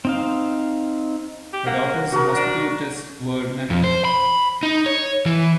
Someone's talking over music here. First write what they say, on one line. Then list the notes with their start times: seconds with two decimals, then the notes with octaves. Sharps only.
Her daughter's hospital tests were negative.
0.05 C4 D#4 F5
1.53 G4
1.66 A#3 F#5
2.12 C#3 F#4 A#4
2.35 D4
3.70 F2
3.84 C5
4.05 B5
4.63 D#4
4.86 C#5
5.26 E3